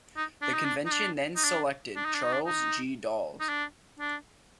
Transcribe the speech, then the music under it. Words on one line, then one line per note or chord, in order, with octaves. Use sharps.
The convention then selected Charles G. Dawes.
D#4
D4
D#4
D4
D#4
D4
D#4
D4
D4
D#4
D4
D#4
D4
D#4
D#4
D4
D4